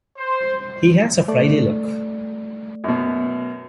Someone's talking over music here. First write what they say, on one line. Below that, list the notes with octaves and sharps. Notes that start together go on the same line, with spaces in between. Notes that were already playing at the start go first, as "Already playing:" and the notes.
He has a Friday look.
C5
A3 D5
F#2 B2